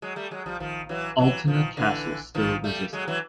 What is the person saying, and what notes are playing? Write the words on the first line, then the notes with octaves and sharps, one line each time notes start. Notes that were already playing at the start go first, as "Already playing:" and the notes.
Altena Castle still resisted.
F#3 G#3
G3 A3
F#3 G#3
F3 G3
D#3 F3
E3 F#3
E3 F#3
D#3 F3
D3 E3
D#3 F3
G3 A3
F#3 G#3
E3 F#3